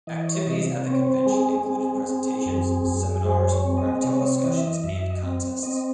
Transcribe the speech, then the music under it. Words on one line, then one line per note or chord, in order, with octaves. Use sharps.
Activities at the convention included presentations, seminars, round-table discussions and contests.
E3 D#5
C#5
C#5
C3 D#5
C4 C#5
C5
G#3 G#4
G#4
C4
C4
F#2
F#2
G#3 C5
C#5
C4
D#5
C3 C#5
D#5
C#5
E3 D#5
E5
D#5
F#2 E5
D#5
C4
C4 D#5